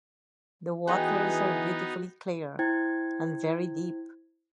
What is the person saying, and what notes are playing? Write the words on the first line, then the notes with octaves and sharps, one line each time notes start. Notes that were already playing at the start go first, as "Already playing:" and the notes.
The waters are beautifully clear, and very deep.
E3 B3 D#4 F#4 G#4 G5
E4 C5 G5 G#6